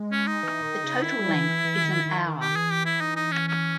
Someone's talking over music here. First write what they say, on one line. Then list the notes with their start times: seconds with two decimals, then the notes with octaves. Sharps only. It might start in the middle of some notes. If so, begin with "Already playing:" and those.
The total length is an hour.
Already playing: G#3
0.12 C#4
0.27 D#4
0.43 E3
0.63 D#3
0.84 C#3
1.03 D#3 E4
1.18 G3
1.34 E3
1.49 E3
1.65 E3
1.84 D#3
2.05 D#3
2.26 D#3
2.41 G4
2.56 E3 G#4
2.72 G4
2.86 E4
3.01 D#4
3.16 D#4
3.32 C#4
3.48 C#4